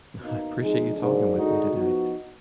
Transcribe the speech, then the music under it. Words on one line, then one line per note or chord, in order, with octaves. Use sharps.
I appreciate you talking with me today.
B2 A#3 D#4
F2 D3 G#3 D#4 G#4
G#2 F#3 A#3 D4
D3 G#3 D#4 F#4
F3 B3 D#4 F#4